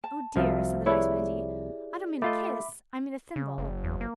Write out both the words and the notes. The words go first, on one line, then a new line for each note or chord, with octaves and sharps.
"Oh dear," said the nice Wendy, "I don't mean a kiss, I mean a thimble."
A5
C2 F3 F#4 E5 F5
E4 G4 G#4 B4 C#5 D5
A3 F4 D#5 E5 B5 D6
C#3
F#1
E2
A#3